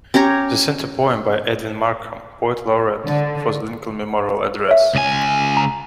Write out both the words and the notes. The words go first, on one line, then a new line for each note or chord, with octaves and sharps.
The center poem by Edwin Markham, poet Laureate for the Lincoln Memorial address.
C#4 G4 C#5 A#5
D3
C#5 E5
C#2 G#5
A#5